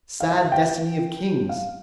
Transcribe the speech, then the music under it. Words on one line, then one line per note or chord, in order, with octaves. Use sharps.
Sad destiny of kings!
F5
E5
F5
G5
F5